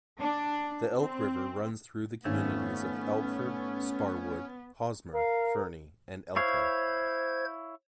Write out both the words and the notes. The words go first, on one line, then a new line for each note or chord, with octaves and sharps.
The Elk River runs through the communities of Elkford, Sparwood, Hosmer, Fernie, and Elko.
D4
C4
G#1 A3 B3 C#4
A#4 F5
E4 C5 C#5 F5 G#6